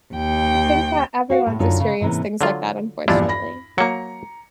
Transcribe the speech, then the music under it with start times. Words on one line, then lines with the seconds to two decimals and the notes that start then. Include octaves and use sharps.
I think that everyone's experienced things like that, unfortunately.
0.14 D#2 G5
1.30 F#4 F5 F#5
1.46 A2 C3
1.59 F#2 D3 D#4 F4 C#5
1.80 C#3
2.00 G#2 C3 E3 A#3 C#4
2.41 D3 F#3 F4
3.08 A#1 E2 G2 D4 E4 F4
3.29 B5 A#6
3.78 F#3 A#3 A#5 C#7